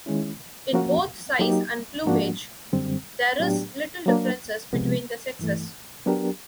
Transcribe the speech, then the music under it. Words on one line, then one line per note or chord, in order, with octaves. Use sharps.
In both size and plumage there is little differences between the sexes.
D#3 G#3 C#4 E4
F3 A#3 C#4 F#4 A#4
F#3 A#3 D#4 G4
G#2 F3 A#3 D4 F#4
F#2 D3 G3 C4
A2 F#3 B3 D4 G4
F#3 A#3 D4
C3 F3 G#3 B3
G2 E3 A3
F#3 B3 D4 G4 A#4